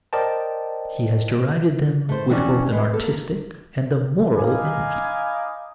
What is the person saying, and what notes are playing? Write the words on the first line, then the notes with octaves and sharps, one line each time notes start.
He has derided them with both an artistic and a moral energy.
A#4 C5 D5 D#5 G5 A5
A3 C5
F2 E3 F#3 C#4 D5 G#5
G#3 B3
A#3 A4
D#4 F5 G#5 B5 D6